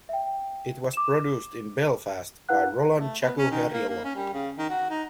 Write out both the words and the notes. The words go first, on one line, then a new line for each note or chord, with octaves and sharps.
It was produced in Belfast by Roland Jaquarello.
E5 G5
D6 E7
E4 B4 F5 F#5 F#6
A3
B3
C#4
D#3
A#3
A#3
C#4
G3
C#3
D#3
F#4
D#4